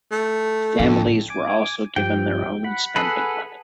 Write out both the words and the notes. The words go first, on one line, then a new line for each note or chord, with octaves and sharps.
Families were also given their own spending money.
A3
F2 A2 D3
G#5 D6
G2 F3 G4 G5
F#5 B5
G#4 A4 B4